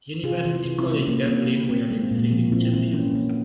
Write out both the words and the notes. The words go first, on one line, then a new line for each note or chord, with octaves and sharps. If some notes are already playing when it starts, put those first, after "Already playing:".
University College Dublin were the defending champions.
C3 F4 G#4
E3
C3
C4 E4
C3
A#3 C#4
E3 A#3
A#3 C4
A#3
A#3 C4
G#3 A#3
C4
A#2
A#3
F3 C4
A#2 C4 E4
E3 C4 E4
E3 A#3 C#4
E3 A#3